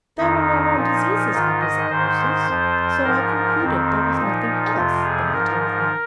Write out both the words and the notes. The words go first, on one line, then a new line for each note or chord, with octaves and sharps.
There were no more diseases after zymosis, so I concluded there was nothing else the matter with me.
F2 D#3 D#4
A#2 F3
G#2 D#3 F4
D#5
G#2 D#3 C5
F2 F3
G#2 F3 A#4
F2 D#3 C4
A#2 F3 D#4
F2 C3 F3 F4
G#4
G#2 F3 A#4